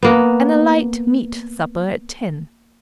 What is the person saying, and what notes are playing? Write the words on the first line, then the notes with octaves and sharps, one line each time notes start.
And a light meat supper at ten.
A#3 B3